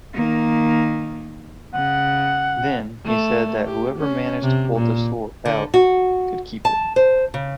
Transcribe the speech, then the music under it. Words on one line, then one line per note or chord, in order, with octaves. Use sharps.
Then he said that whoever managed to pull the sword out could keep it.
D#3 A#3
C#3 F#5
A3
G4
C#4
C3
A#2
D3
F#4
A5
C5
C#3